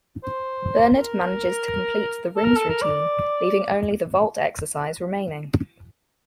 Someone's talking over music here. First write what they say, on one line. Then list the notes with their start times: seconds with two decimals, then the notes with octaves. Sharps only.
Bernard manages to complete the rings routine, leaving only the vault exercise remaining.
0.24 C5
0.97 A#4
2.37 A4
2.44 A#4
2.57 A4
2.69 A#4
2.82 D5